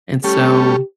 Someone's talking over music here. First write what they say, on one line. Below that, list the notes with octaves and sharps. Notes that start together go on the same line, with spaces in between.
And so,
G3 A3 C#4 G4